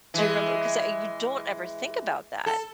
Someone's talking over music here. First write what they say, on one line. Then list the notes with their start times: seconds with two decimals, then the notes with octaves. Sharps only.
do you remember 'cause I you don't ever think about that.
0.14 E3 G#3
2.46 A4